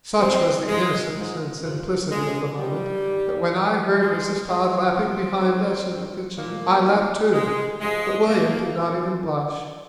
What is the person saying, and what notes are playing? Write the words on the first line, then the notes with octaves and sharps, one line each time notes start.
Such was the innocence and simplicity of the moment that when I heard Mrs. Todd laughing behind us in the kitchen I laughed too, but William did not even blush.
G2 D#3 C4
G2 F3 G#3
G#2 F3
G2 F3
A#2 F3 G#3
A#2 F3 G3
G2 D#3
G2 D#3
G2 D#3 G#3
G2 F3 G#3
A#2 F3 C4
G#2 F3
G2 D#3
A#2 F3 A#3
G#2 F3
G#2 D#3 G#3
G2 F3 G#3
A#2 F3 A#3
A#2 F3 C4